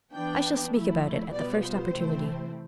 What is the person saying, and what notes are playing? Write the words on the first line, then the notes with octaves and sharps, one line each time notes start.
I shall speak about it at the first opportunity.
E3 B3 D4 G5
F3 A3 E4
B2 G3 B3 F4 D5
C5
C3 E3 A3 C4 E4